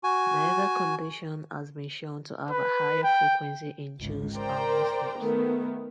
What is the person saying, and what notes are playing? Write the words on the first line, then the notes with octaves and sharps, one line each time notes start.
Neither condition has been shown to have a higher frequency in Jews or Muslims.
F#4 G#5
B4
G5
G#1 C#2
A#4 C5 D5 G5 A#5
D#3 A3 B3